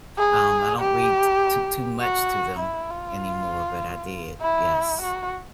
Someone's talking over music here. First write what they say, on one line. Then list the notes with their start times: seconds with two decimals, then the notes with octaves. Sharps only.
Um, I don't read t too too much to them anymore, but I did, yes.
0.18 G#4
0.79 G4
2.00 F#4
2.60 E4
2.90 F4
4.41 E4
5.01 F#4